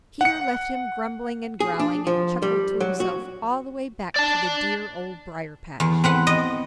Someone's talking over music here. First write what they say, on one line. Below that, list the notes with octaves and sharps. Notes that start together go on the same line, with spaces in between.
Peter left him grumbling and growling, and chuckled to himself all the way back to the dear Old Briar-patch.
F#5 C#7
G#4
D4
F3
G3
F#3
F#4
D5 A5
E2
C4 B4 F#5
D#5